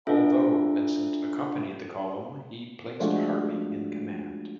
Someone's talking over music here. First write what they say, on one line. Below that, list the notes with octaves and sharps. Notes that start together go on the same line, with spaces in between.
Although Vincent accompanied the column, he placed Harvey in command.
D4 E4 F4 A4 E5
F3 G#3 A3 D4 F4 F#4